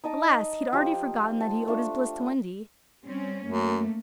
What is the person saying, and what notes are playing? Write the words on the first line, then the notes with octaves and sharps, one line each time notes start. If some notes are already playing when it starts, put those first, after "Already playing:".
Alas, he had already forgotten that he owed his bliss to Wendy.
D#4 D#5 A5 D6
F3 F4 G4
A5
A3 D4 F4 A4
G3 C4 C#4
F#2 A3 A#3